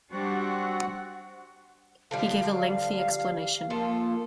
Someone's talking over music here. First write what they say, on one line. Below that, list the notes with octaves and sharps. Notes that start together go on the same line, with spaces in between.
He gave a lengthy explanation.
G3 C4 D4 F#4 F#5
D3 F3 G3 F5
F3 A#3 F4 A4